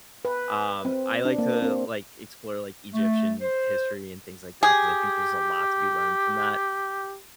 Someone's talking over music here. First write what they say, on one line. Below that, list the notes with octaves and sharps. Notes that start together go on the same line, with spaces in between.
um, I like to, like, explore, like, Egyptian history and things like that 'cause I think there's a lot to be learned from that,
B4
C4
D4
A#3
C4
A3
C5
G4 G#4